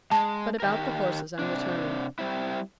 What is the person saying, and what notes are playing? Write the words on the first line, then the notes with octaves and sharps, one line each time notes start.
But about the horses I'm determined.
G#3 A5
D#3 G4 A#4
C3 D4
G3 C4 E4